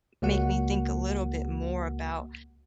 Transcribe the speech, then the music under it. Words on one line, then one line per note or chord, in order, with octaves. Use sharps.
make me think a little bit more about
C#2 A#3 F#4 F#5